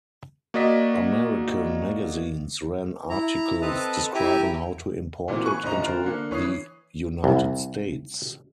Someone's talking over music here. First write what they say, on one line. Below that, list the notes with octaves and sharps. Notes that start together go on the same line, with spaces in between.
American magazines ran articles describing how to import it into the United States.
A#3 F#4 D5 D#5 B6
E4 A#5
C4 A4 B4 D#5 A5 A#5
E4 G4 E5 G5 G#5 A#5
A#2 E3 F#3 C4
G#5 B5 C#6 F#6
D#1 D3 C5 D#5 A#5
F4 A#4 C5
D3 A#3
E3 C#5 D#6 C7
C2